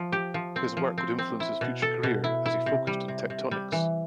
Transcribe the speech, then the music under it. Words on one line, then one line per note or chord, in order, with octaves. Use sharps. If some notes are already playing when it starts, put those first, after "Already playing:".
His work would influence his future career, as he focused on tectonics.
Already playing: F3
G4
F3
C4
F3
C4
C4
E4
B2
A4
B2
E4
E4
C3
G3
C3
C3
G3
E3